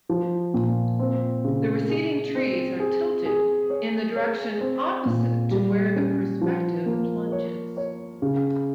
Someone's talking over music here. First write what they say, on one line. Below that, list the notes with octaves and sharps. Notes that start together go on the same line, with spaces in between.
The receding trees are tilted in the direction opposite to where the perspective plunges.
F3
A#2
C4
C#3
G#4
C4
G#4
G#4
C#5
C#5
C4
A#2
G3
C#4
F3
A#3
C#5
C#5
C#3